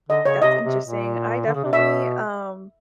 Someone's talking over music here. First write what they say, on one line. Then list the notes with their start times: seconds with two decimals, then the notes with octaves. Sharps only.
That's interesting. I definitely, um,
0.09 D3 D#5
0.25 C#3 C#5
0.42 C3 D#5
0.64 C3
0.86 A#2
1.46 D3
1.55 C#3
1.64 C3
1.73 B2 E5